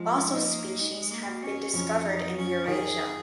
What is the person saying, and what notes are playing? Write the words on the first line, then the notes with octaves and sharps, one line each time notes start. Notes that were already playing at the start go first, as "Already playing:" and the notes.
Fossil species have been discovered in Eurasia.
Already playing: F3 G#3
A#3 D#4
G#3 D#4
A#3
F#4
C#4
F2 C#4
D#4
F2
C#4
D#3 G#4